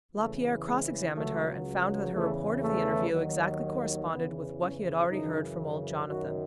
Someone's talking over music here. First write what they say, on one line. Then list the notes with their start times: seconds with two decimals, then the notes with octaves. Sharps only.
Lapierre cross examined her, and found that her report of the interview exactly corresponded with what he had already heard from old Jonathan.
0.15 E2 C#3 E3 A3
0.64 G#3
1.13 C#2 C#3 F#3 A3
2.12 E2 C#3 E3 A3
2.61 A3
3.11 D#2 D#3 F#3
4.09 E2 C#3 E3 B3
4.59 C#4
5.08 F#2 C#3 E3 D#4
6.06 F#2 D#3 F#3 F#4